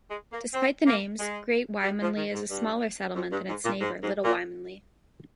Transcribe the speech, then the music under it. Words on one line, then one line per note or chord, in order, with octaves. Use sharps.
Despite the names, Great Wymondley is a smaller settlement than its neighbour, Little Wymondley.
G#3
A#3
C4
A#3
G#3
G3
F3
D#3
G#2
G2
F2
G2
G#2
A#2
G#2
G#2
A#2